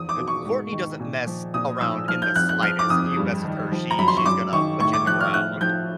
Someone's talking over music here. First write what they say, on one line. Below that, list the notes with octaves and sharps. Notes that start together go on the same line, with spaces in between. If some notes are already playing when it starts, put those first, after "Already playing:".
Uh, Courtney doesn't mess around in the slightest. If you mess with her, she she's gonna put you in the ground.
Already playing: E2 F3 D#6
D6
B2
C#6
G#2
D#3
A#2
F3
A#2 D#6
F3 E6
F3 F6
G6
F2 F#6
F#6
F3 F6
D6
F2 D#6
G2
D#3
F3
A#5
F#2 B5
C6
C#6
F#2 D6
D#3 C#6
A2 C#6
D6
F3 F#6
F6
A2 F#6
F3 G6